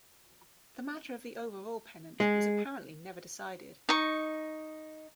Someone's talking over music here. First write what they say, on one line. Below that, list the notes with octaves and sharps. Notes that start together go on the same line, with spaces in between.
The matter of the overall pennant was apparently never decided.
G#3
D#4 C#6